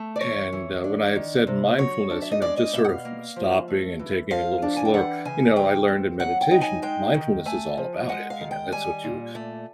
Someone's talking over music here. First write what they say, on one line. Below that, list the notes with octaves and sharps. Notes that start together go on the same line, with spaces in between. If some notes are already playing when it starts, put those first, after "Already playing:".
and, uh, when I had said mindfulness, you know, just sort of stopping and taking it a little slower. You know, I learned in meditation, mindfulness is all about it, you know, that's what you
Already playing: A3
D5
E3 C#5
E3
D4
D#3
C3
F#3 C#5
D4
E5
D#5
G#3 D5
D#5
B2 E5
F#5
F5
A#3
F3
A3
E3
F3 F5
D4
G#5
G5
E3 F#5
C#3 G#5
E3 G5
C4
F#3 F#5
G5
D#4
G#5
G#3 G5
D#3
A3 G#5
F3
G#3 F#5
F5
D#3
G5
G3 G#5
A#2
A3